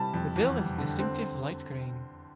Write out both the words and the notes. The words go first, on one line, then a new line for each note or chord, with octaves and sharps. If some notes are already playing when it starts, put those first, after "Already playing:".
The bill is a distinctive light green.
Already playing: C3 G3 A5 B5
F2
E2
G3
D3
C4